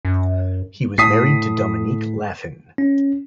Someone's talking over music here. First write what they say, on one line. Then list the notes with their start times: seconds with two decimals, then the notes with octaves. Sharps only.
He was married to Dominique Laffin.
0.05 F#2
0.98 A2 D#6 B6 C7
2.78 C#4